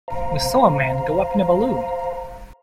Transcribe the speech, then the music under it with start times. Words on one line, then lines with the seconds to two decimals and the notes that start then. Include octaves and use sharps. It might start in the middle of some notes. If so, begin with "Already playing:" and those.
We saw a man go up in a balloon.
0.08 C5 F5 A#5